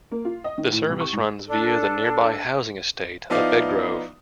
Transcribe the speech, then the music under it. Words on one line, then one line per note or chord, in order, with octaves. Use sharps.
The service runs via the nearby housing estate of Bedgrove.
A#3
F4
D#5
D#3
A2
C2
C#6
G#2
D4 A4
F3 B3 D#4 E4 D5 F5